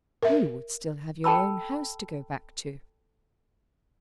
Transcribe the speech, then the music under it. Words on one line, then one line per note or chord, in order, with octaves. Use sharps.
"You would still have your own house to go back to."
A#4 E5
A4 G5 A5 B5 E6